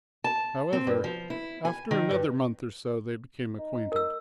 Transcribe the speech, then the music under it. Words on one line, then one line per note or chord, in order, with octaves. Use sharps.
However, after another month or so they became acquainted.
A5
C4
G2
F3
E4
G#5
D#3
G2
D#4
A#4 E6